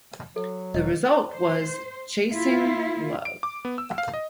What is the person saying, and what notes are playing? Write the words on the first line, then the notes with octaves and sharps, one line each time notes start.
The result was "Chasing Love".
F#3 A4
E1 D#5
C5
A#3 E4 F4
D7
D6
B3
E6
F5
D#5